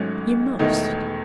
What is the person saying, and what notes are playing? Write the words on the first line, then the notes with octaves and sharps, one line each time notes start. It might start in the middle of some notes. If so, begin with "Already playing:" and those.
You must.
Already playing: G#1 G#2 F#3 A3 C#4
E1 E2 D#3 A3 D#4